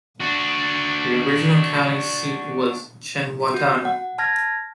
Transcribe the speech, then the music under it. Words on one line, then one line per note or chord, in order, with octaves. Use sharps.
The original county seat was Chengwatana.
D4 F#4
F#4
F#5
A5 F6 G#6 A#6